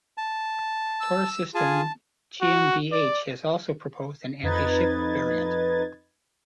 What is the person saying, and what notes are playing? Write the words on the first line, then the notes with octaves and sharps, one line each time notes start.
Taurus Systems GmbH has also proposed an anti-ship variant.
A5
E6
F4 G#4 G#5 A5
F#4
D5
F2 D#4 B4 D#5 G#6 A6